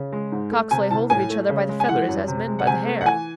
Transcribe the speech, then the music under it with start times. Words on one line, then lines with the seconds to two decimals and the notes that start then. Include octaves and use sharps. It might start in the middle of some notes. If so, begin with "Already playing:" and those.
Cocks lay hold of each other by the feathers, as men by the hair.
Already playing: C#3
0.12 G#3
0.32 G#2
0.51 A3
0.71 C3 G#5
0.91 C2 A5
1.10 A2 G#5
1.30 A3
1.49 C#3
1.69 G#3
1.80 G#5
1.89 E3 F#5
2.08 F#2
2.28 C3
2.47 G#3
2.59 F#5
2.67 C3 G#5
2.86 A3
3.01 F#5
3.06 E3 G#5